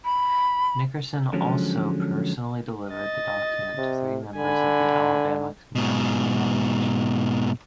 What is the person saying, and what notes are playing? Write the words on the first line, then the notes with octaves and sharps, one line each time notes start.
Nickerson also personally delivered the document to three members of the Alabama congressional delegation.
B5
D3 F3 F#3 G#3 C#4
D#5 A6
C3
D3 G#5 B5
G#2 B2